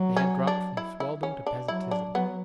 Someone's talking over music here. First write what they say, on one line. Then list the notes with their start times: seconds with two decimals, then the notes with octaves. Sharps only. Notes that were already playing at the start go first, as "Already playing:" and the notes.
They had dropped from swelldom to peasantism.
Already playing: F#3
0.16 C#4
0.47 D4
0.77 E4
1.00 E4
1.23 C#4
1.47 D4
1.68 F#3 E4
1.91 D4
2.14 F#3 B3